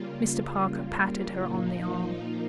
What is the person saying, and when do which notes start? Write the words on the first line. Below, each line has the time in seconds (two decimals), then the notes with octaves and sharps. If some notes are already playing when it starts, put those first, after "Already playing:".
Mr. Parker patted her on the arm.
Already playing: C#3 G3 A#3 F4
0.49 C#3 G3 A#3
1.38 A#2 F3 A#3 D#4
1.82 F4